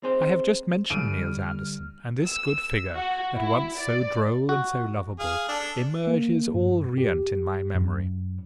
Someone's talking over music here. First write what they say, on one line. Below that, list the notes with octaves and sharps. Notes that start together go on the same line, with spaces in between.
I have just mentioned Niels Andersen, and this good figure, at once so droll and so lovable, emerges all riant in my memory.
C4 G#4 C5
D3 G3 F6 D7 D#7
E6
F#4
E4
D5
F#4
G#4 F5
D4 A4
A#3
G2
G4
F#2